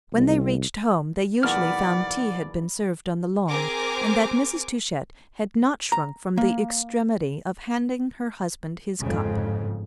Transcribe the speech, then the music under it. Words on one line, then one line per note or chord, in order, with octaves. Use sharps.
When they reached home they usually found tea had been served on the lawn and that Mrs. Touchett had not shrunk from the extremity of handing her husband his cup.
C2
B1 E2 A#3 D5 F#5 B5 F6
C4 G#4 A#4 G#5 D6
A#5
A#3
G1 F2 G#2 C#3